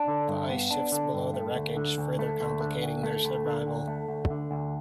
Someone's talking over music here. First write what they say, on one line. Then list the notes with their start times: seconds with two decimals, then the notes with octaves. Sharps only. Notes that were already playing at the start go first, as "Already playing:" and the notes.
The ice shifts below the wreckage, further complicating their survival.
Already playing: D4
0.08 D3
0.28 G2
0.50 B3
0.71 D4
0.92 D3
1.14 G2
1.34 A3
1.55 D2
1.77 D3
1.98 D2
2.19 A3
2.41 D2
2.61 D3
2.82 D2
3.03 A3
3.25 D2
3.46 D3
3.67 D2
3.88 A3
4.08 D2
4.30 D3
4.51 D2